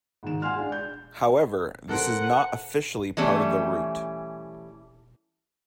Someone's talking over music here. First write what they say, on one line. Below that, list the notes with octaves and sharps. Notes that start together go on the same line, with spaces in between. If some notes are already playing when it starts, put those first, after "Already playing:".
However, this is not officially part of the route.
G#2 D#3 E7
F5 F#5 G#5 C6 F6
G#3 D4
G6
A4 A#4 C5 F#5
E3 G3 A3 C#4